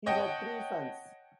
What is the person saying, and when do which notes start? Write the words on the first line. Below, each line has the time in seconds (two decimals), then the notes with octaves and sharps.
He had three sons.
0.06 C#5 D#5 F#5 G5 A5